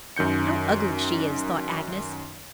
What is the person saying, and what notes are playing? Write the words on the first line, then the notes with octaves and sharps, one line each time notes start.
"How ugly she is!" thought Agnes.
F#2 D#3 G6 C#7